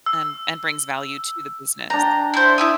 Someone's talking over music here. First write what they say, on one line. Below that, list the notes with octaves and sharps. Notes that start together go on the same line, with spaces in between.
and and brings value to the business.
E6
D4 G5 A#5
E4 C5
E4 E5 D#6